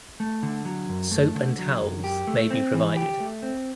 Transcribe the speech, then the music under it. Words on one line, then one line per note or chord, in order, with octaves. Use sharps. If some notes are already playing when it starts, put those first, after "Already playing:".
Soap and towels may be provided.
A3
D3
F#3
F#2
A3
D3
F#3
F#2
G4
A3
C4
E3
G4
A3
C4